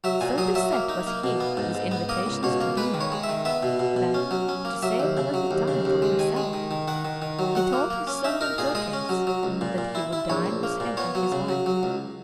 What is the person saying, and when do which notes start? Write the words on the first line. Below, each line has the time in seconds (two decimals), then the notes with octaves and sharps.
So beset was he with invitations to dinner, that, to save a little time for himself, he told his servant Wilkins, that he would dine with him and his wife.
0.04 F#3 E5
0.21 A#2 G#5
0.38 F#3 D#5
0.55 F#3 E5
0.72 A#3
0.89 D#4
1.07 A#3
1.24 B2
1.40 B3
1.57 G#2
1.75 G#2
1.91 B3
2.09 A#3 D#5
2.27 C#2
2.43 B2 C#5
2.60 A#3
2.77 G#3 B4
2.94 D#3
3.01 C#5
3.12 G#3
3.23 E5
3.29 D#3
3.45 B3 E5
3.63 B2
3.79 B2
3.96 B2
4.14 C#4
4.31 F#3
4.49 C#4
4.65 A#3
4.82 F#3 E5
5.00 D#2
5.17 C#3
5.34 F#3
5.51 D#2
5.68 C#3
5.85 D#2
6.02 G#3
6.19 D#3 G#5
6.37 G#3
6.53 D#3
6.71 D#3
6.88 D#3 F#5
7.05 D#3
7.22 D#3
7.39 F#3
7.55 F#3 F#5
7.73 A#3
7.90 A#3
8.07 C#4
8.24 D#4 E5
8.41 D#4 A#4
8.58 A#2 G#4
8.75 G#3 D#5
8.93 C#4
9.09 F#3
9.27 F#3
9.43 C#2
9.61 A#2
9.78 A#2
9.95 E4
10.13 E4
10.30 A#1 C#5
10.46 A#1
10.63 A#3
10.80 A#2
10.97 B3 C#5
11.15 F#3
11.32 C#3
11.49 F#3
11.66 F#3
11.83 C#2